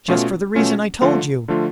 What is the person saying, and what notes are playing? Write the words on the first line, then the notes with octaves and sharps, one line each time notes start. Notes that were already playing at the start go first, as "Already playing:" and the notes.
"Just for the reason I told you."
B2 A3 C#4 F4
B2 A3 C#4 F4
D3 F3 A3 F4
D3 F3 A3 F4